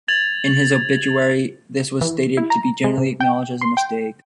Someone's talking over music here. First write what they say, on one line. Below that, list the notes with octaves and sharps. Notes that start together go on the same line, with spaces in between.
In his obituary, this was stated to be generally acknowledged as a mistake.
G#6 A6 F7 F#7
E3
E4
A#5
G#3
C3
G5
C6
G5